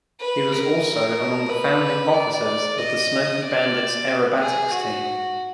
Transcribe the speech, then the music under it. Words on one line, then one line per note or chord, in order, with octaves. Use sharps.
He was also among the founding officers of the "Smokey Bandits" Aerobatics Team.
B4
A#4
B4
D5
D#5
D5
G#4
F#4